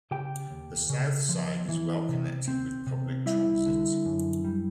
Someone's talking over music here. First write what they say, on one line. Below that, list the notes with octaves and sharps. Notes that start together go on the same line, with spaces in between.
The South Side is well-connected with public transit.
C#3 G4 G5
D#2
C#3
F3
E3
C3
C4
C3
G3 E4 E5
D3
F#2
G3